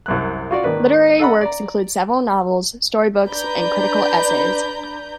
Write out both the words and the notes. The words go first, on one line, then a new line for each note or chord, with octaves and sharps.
Literary works include several novels, story books and critical essays.
C2 F#2 F#6
F4 F#4 D5
G#1 D#3 A#3 B4 D5
A4 D#5 F#5 A#5 B5
D5 A#5
D4 B4 D5 A#5 G6